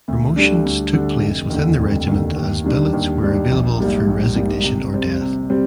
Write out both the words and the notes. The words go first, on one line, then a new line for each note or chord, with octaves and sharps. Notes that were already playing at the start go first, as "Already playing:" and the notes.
Promotions took place within the regiment as billets were available through resignation or death.
D2
D3 G3 D4
D2
D3 G3 D4
F1
D#2 D3
F1
D#2 D3
D#2
D#3 G3 D4
D#2
D#3 G3 D4
A#1
G#2 G3 A#3
A#1
G#2 G3 A#3
C3
G3 C4
C3
G3 C4